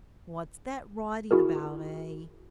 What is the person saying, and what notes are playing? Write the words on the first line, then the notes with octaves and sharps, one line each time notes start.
'What's that writing about, eh?'
E4 F#4 G#4 A#4